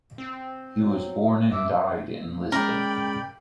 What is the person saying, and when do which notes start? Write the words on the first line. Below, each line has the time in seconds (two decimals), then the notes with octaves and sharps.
He was born and died in Lisbon.
0.18 C4
0.78 F#3
1.52 G2 E5 D6
2.52 G#3 C#4 A#4 D5 G5 B5